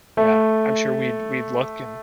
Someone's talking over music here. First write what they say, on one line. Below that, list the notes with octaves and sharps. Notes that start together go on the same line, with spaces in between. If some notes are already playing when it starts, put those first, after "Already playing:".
Yeah, I'm sure we'd we'd look and,
A3